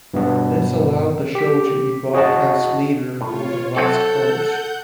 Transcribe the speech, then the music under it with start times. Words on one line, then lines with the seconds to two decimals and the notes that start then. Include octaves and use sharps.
This allowed the show to be broadcast later for the West Coast.
0.14 G2 B2 B3 D4
1.35 G4 B6
2.13 F#4 G#4 D#5 F#5 A5
3.21 A2 F4 C#5
3.76 F#3 C4 F#4 A4 F#5 G6